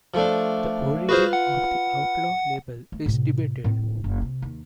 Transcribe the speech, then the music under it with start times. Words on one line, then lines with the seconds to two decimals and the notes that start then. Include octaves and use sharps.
The origin of the outlaw label is debated.
0.14 F3 A3 D4
1.09 F4 F#4 G#4 B4 C5
1.33 F#5
2.92 A3
3.06 A2 C3
3.64 A2 C4
4.04 F#1
4.22 C3
4.42 D#2